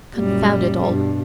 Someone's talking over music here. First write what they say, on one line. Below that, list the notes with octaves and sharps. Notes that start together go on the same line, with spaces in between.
Confound it all!
F#2 A#2 G3
G2 B2